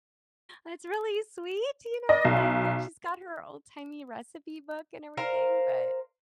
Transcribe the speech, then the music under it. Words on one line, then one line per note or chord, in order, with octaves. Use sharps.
"That's really sweet, you know, like" and she's got her old-timey recipe book and everything, but,
D5 D#5
B1
A#4 C5 F5